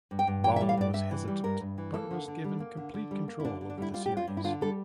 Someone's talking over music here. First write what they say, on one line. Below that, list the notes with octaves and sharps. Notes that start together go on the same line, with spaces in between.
Ball was hesitant, but was given complete control over the series.
G2
G5
G2
E3 G5
E5
G3
F5
G2 D5
G2 E5
E3
G3
G2 A#4
G2
E3
A#3 A4
D3
D3
G3
A#3
D3
D3
G3
A#3
E4
D3 D4
D3
D4
G3 E4
G3 F4
G4
C#4
F4
G2
E4
D3 F4
G3 A4